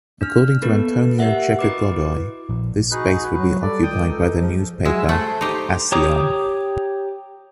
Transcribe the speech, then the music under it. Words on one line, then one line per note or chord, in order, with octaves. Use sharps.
According to Antonio Checa Godoy, its space would be occupied by the newspaper “Acción”.
D4 F6
A#3 B3 A4 B4
G4 A#4 E5 F#5
E4 F#4 B4 D#5 D6
A#1
D#4 F#4 G#4 B4
F#3 B4
G3 A4 D5
C#2 D#3 G5 D#6
D#4 A4
F3 G#3
F#3 G#3 G#4 E5
A3 C5
D#4 G4
G4 C#5 A#5 D6 D#6